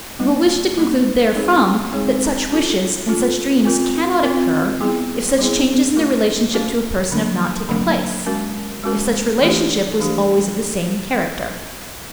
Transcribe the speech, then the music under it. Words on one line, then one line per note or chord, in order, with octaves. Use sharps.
You will wish to conclude therefrom that such wishes and such dreams cannot occur if such changes in the relationship to a person have not taken place; if such relationship was always of the same character.
G3 A#3 D#4
G3 A#3 D#4
G#3 C4 D#4 G#4 C#5
G#3 C4 D#4 G#4 C#5
C#4 F4 A4
C#4 F4 A4
C4 F4 A#4
C4 F4 A#4
G3 B3 E4 G#4
G3 B3 E4 G#4
A3 C#4 F#4 A#4
A3 C#4 F#4 A#4
D3 F#3 A#3 D4
D3 F#3 A#3 D4
G#3 C#4 F#4 A#4
G#3 C#4 F#4 A#4
E3 A3 D4 G4
E3 A3 D4 G4